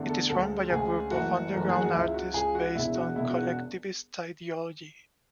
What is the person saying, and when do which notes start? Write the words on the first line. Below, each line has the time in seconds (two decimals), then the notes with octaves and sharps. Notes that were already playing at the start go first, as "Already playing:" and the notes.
It is run by a group of underground artists based on collectivist ideology.
Already playing: E2 D3 A3
0.09 A4
0.30 D2 C#3 G#3 A4
0.70 D2 C#3 G#3 G#4
1.11 F#1 F#2 E3 A3 F#4
1.53 F#1 F#2 E3 A3
1.69 G#4
1.81 F#4
1.93 C#2 C#3 G#3 E4
2.14 F#4
2.34 C#2 C#3 G#3 G#4
2.55 F#4
2.75 E1 E2 C#3 E4
2.95 F#4
3.16 E1 E2 C#3 E4
3.29 F#4
3.43 F#4